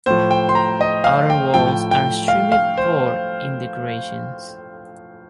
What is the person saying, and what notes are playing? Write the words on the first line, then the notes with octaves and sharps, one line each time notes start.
Outer walls are extremely poor in decoration.
A2 F3 C5
G5
C6
A#5
D#5
F5
G5
A2 F3 G5
G5
F5
F5
C5